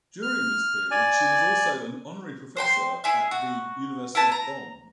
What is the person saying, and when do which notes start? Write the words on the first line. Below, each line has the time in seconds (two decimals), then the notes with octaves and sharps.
During this period, she was also an honorary professor at the University of Bonn.
0.22 F6
0.91 D5 G#5
2.57 C5 G5 C6
3.04 E4 G#4 E5
3.31 F#4
4.15 E4 A4 B4 A5
4.32 A#5